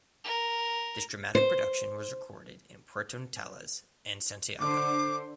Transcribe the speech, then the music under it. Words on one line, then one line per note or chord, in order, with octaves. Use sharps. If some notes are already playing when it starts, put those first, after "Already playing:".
This dramatic production was recorded in Puerto Natales and Santiago.
A#4
C5
D3 C5 D6